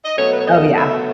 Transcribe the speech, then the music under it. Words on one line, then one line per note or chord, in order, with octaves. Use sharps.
Oh, yeah.
D#5
B2 F#3 A3 C#5
B4
C#5
D#5
E5